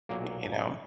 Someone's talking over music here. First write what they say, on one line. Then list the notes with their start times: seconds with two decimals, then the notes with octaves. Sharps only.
Y you know?
0.09 B1 A#2 F#3 A#3